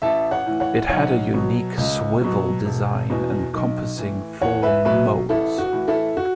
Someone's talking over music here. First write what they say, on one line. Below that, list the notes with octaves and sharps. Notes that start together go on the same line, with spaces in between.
It had a unique swivel design encompassing four 'modes'.
A1 E5 A5
C#5 F#5
A2 E3
C#5 F#5
B1 C#5 F#5
B2 F#3
C#2
B2 F#3
E1
E2 B2
B1
A2 E3
E2 C#5 F#5
B4 E5
B2 F#3 B4 E5
A1 E4 A4
F#4
A2 E3
E4 A4
F#4